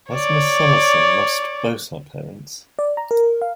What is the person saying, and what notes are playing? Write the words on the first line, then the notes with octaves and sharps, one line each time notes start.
Has Miss Summerson lost both her parents?
C#5 D5
D5
A#5
A#4
F5